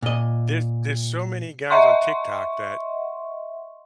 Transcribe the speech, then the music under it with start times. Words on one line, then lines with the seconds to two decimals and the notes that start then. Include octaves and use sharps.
There's there's so many guys on TikTok that
0.02 A#2 D#5
1.70 D#5 E5 F#5 C6 C#6